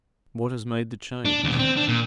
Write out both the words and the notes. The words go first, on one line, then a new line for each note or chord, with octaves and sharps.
What has made the change?
D4
D#2 B2
C4
D4
A#2